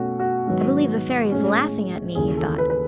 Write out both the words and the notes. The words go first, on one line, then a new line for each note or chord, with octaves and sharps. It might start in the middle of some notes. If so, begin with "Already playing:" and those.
"I believe the Fairy is laughing at me," he thought.
Already playing: B2 A3 C#4 F#4
F#4
G#2 D#3 F#3 B3 F#4
A2 G#3 C#4
D#2 C#3 E3 G#4
A4
B4
B4